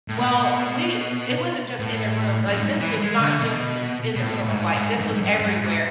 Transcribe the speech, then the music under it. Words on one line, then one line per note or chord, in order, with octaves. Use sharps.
Well, we it wasn't just in the room, like, this was not just is in the room, like, this was everywhere,
A2
B2
A2
F#2
G#2
E3
G#3
D3
B2
B2
A2
G#2
G#2
F#2
G#2
G#2
F#2
G#2
G#2